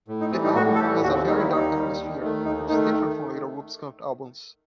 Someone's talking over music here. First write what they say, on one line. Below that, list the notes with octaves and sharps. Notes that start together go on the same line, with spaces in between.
The album has a very dark atmosphere, which is different from later Wumpscut albums.
A2
D#4
E3 G3 C4
D#4
A2 F#4
A4
E3 G3 G4
D#2 F#4
C4
D#3 G3 D#4
E4
D#2 D#4
D#3 G3
D#2
D#3 A3
D#2 D#4
D#3 A3 D#4